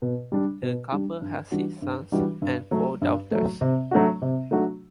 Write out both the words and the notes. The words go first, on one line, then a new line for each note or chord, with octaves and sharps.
The couple had six sons and four daughters.
B2
G3 D4
B2
G3 D4
G2
E3 G3 D4 F#4
G2
E3 G3 D4 F#4
G2
F#3 A3
G2
F#3 A3
C3
F#3 A3 D4 F#4
C3
F#3 A3 D4 F#4